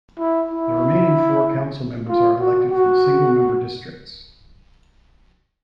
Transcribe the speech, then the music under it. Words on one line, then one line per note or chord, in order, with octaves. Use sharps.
The remaining four council members are elected from single-member districts.
E4
E4
F4
F#4
F#4